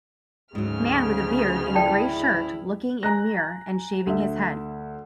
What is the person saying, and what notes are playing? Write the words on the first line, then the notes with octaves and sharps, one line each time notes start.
Man with a beard in a gray shirt looking in mirror and shaving his head.
D2 G#2 C#3 F#3 F6
E4 D5 G5 A5
G#5 A#5 F#6 A#6
D2 E5